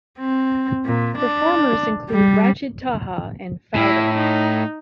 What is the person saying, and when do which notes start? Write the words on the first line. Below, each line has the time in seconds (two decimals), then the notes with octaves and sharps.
Performers include Rachid Taha and Faudel.
0.19 C4
0.86 A#2
1.17 D4
2.10 G3
3.75 A2 E4
4.14 D#4